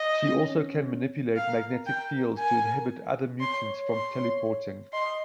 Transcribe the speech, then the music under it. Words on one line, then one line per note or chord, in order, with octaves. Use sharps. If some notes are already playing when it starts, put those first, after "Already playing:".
She also can manipulate magnetic fields to inhibit other mutants from teleporting.
Already playing: D#5
C4
C#4
A#4 F5
G5
G#5
C#5 C6
C#5
C6
D#5 C6